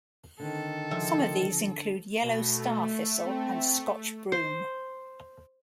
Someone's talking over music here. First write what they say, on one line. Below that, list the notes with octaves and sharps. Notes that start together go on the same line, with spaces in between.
Some of these include yellow starthistle and scotch broom.
D3 D#3 C4 A4
C#3 F3 E5
B2 A3
C4
C5